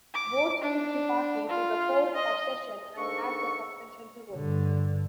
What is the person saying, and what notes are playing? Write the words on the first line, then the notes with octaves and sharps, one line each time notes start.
Both took the party to the Court of Session and had the suspension revoked.
D6
D4
F4
D#5
G#2 A#3 D4 A4 D#5 C#6
G2 D3